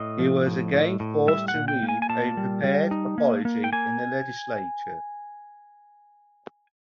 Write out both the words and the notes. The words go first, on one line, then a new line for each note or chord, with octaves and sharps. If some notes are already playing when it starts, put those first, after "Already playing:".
He was again forced to read a prepared apology in the legislature.
Already playing: A2 D#5
F3
A2
A2
A2
G3 E5
F#5
A#2
G5
A#3
G#5
G#5
A#2 A5
G3
G3
D#4
A#3
A#3
G5
A#3 G#5